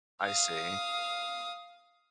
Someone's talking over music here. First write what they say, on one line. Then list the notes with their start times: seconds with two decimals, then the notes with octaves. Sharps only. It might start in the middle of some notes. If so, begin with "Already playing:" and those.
I see.
0.22 F5 D#6